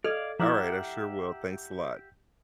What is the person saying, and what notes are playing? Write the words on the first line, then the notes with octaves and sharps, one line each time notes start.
Alright, I sure will, thanks a lot.
A4 D5 D#5 F5 F6 G#6
F3 E4 G4 E5 F#5 A#5 D6 F6